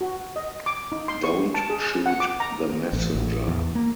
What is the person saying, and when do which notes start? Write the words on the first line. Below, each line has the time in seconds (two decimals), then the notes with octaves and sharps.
Don't shoot the messenger.
0.01 F#4
0.36 D#5
0.66 D6
0.92 D#4
1.08 C6
1.23 C#6
1.54 A5
1.70 G#4
2.06 F#5
2.20 D6
2.40 A#5
2.93 A1
3.15 A1
3.48 E2
3.75 A#3